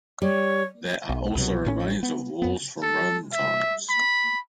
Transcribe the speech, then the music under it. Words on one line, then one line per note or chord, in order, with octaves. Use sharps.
There are also remains of walls from Roman times.
G3 C#5
B1
C2 B2 F#3
A1 A2 C#4
B3
F2 B3
A4
E5
B5